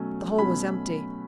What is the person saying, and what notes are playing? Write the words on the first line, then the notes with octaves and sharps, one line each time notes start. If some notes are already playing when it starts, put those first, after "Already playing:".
The hole was empty.
Already playing: B2 F#3 A3 C#4
B2 F#3 A3 C#4 B5